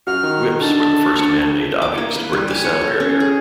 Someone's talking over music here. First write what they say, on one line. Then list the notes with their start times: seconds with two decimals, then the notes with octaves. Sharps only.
Whips were the first man-made objects to break the sound barrier.
0.07 F#2 F#4 F6
0.23 D#3
0.61 D3 D#4 A5
1.19 D2 C#7
1.82 D6
1.98 A#3
2.16 B4
2.33 G3
2.50 G#5
2.64 C#5
2.81 A4
3.00 C#4
3.20 G#4